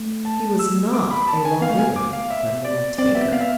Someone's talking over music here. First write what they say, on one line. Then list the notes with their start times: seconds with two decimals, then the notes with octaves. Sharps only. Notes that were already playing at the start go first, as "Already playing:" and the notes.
He was not a law-giver, but a law-taker.
Already playing: A3
0.25 A5
0.59 E6
0.93 D6
1.11 B5
1.22 B5
1.28 A5
1.45 G#5
1.61 B3 F5
1.70 A3
1.77 B3 G#5
1.96 D6
2.13 F5
2.30 E5
2.64 D5
2.98 C4 D5
3.15 B3 E5
3.32 B3 F5
3.41 E5